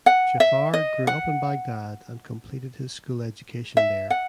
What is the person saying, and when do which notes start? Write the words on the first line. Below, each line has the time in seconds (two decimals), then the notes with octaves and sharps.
Jafar grew up in Baghdad and completed his school education there.
0.06 F#5
0.40 E5
0.74 D#5
1.07 F#5
3.77 E5
4.10 F#5